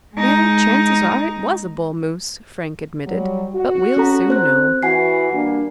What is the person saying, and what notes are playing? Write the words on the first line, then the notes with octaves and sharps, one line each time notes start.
"Well, chances are it was a bull moose," Frank admitted; "but we'll soon know."
G#3 D#4
F#3 G3
F#4
C#4 A4 A#5
C4 C5 F#6
E3 F#4 F#5 G#5 C7
G3 A#3 D4